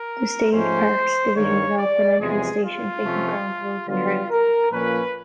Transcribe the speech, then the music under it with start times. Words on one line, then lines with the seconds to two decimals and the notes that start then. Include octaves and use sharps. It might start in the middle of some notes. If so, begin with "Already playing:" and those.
The state parks division developed an entrance station, picnic grounds, roads, and trails.
Already playing: A#4
0.51 G#2 F3 A3 C#4 C5
1.35 G2 D#3 G3 A#3 C#5
1.77 D5
2.19 E2 C3 F3 G#3 G#4
2.62 F4
3.03 C3 F3 A3 C#4
3.87 D3 F#3 B3 F4
4.30 A#4
4.71 A#2 F3 A#3 C#4 B4